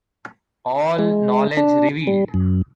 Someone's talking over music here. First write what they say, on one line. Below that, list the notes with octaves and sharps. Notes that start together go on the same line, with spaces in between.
All Knowledge Revealed.
G#3
D4
G3
F#2